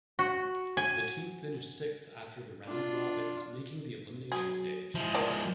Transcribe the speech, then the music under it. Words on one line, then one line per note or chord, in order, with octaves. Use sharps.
The team finished sixth after the round robins, making the elimination stage.
F#4
G#5
D4 F4
F#3 G#4
F3 G#3 E4
A#3 D5